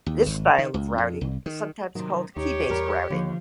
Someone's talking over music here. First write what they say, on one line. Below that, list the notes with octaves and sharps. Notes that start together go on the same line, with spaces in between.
This style of routing is sometimes called key-based routing.
D#2
G#1
D#3
C#2
F2
C2
D#3
C3 D#3 F#3
D#2 D#4 G4 C#5
E2 G3 A#4
D#2 D3 F3